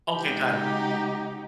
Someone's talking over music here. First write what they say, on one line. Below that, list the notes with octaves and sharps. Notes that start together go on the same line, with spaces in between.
Okay, got it.
C#3 G#3 D#4 F#4 G4